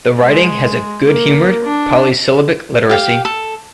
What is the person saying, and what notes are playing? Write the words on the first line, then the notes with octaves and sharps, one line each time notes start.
The writing has a good-humored polysyllabic literacy.
G#3
A#3
D4
G4 F5 G5
A4